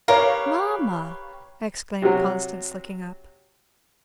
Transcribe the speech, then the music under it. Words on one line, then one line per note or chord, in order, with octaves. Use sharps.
"Mamma!" exclaimed Constance looking up.
G4 A#4 B4 C#5 F5
C3 F#3